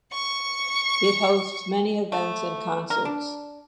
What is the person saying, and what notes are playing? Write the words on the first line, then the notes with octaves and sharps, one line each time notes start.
It hosts many events and concerts.
C#6 C#7
A3
A#4
D4